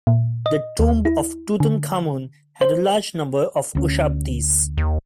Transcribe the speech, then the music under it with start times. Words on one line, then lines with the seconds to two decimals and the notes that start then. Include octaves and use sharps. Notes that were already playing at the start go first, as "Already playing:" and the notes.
The tomb of Tutankhamun had a large number of ushabtis.
0.07 A#2
0.46 D#5
0.79 D#2
1.05 E4
1.60 D3
2.61 C5
3.75 D2 G#3 C#4
4.78 D#2